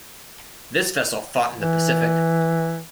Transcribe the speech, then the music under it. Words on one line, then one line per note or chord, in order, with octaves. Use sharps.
This vessel fought in the Pacific.
E3